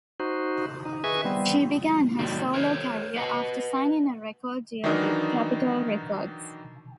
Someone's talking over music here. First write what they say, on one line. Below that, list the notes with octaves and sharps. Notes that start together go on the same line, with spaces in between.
She began her solo career after signing a record deal with Capitol Records.
D#4 F#4 C5
D#4
G#4 B4 D#5 E5 G#5 C#6
G3 B3 C4
D#2 A2 D#3 F#3 G3
A#4 C5 C#5
B4 D#5 F#5
D#3 E3 F#3 D4 D#4 A#4